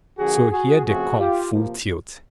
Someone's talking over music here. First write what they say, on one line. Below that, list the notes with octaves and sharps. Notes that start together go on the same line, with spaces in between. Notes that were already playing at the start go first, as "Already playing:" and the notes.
So here they come, full tilt.
D3 F3 A#3 F#4 G#4
F#4 G#4
C#3 F3 A3 C4 F#4 G#4
F4 G4
C3 F3 A#3